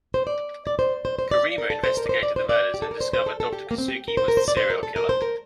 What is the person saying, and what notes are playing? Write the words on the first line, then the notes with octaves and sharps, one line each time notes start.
Kirima investigated the murders, and discovered Doctor Kisugi was the serial killer.
C5
D5
D5
C5
C5
C5
D5
A#4
A4
C5
A#4
D5
C5
D5
C5
D5
G4
A4
A#4
C5
C5
A4
A4
G4
A#3
C4
G4
A#4
C5
A#4
C5
D5
C5
A#4
A4
A#4
C5
A#4